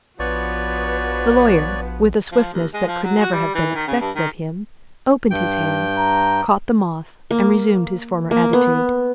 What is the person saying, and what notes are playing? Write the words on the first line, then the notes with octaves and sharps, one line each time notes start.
The lawyer, with a swiftness that could never have been expected of him, opened his hands, caught the moth, and resumed his former attitude.
A#1 F3 B3 F#4 B4 C#5 D5
F3
D#2
G#3
F3
F#3
F#4
G3
E3
D#3
C#3
G2
D#3
G2 G5
A#5
A#3
A#3
B3